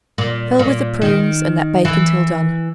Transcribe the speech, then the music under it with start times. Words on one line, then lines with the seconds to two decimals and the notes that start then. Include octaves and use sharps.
Fill with the prunes and let bake until done.
0.18 A#2
0.59 A#2
1.02 D#3
1.85 E3